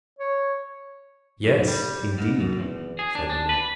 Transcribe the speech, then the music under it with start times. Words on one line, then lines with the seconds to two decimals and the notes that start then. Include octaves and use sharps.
"Yes, indeed," said the man.
0.19 C#5
1.44 B1
1.68 G3
2.18 G#2
2.40 F#2
2.60 E2
2.99 G#4
3.15 D4
3.30 D4
3.49 B4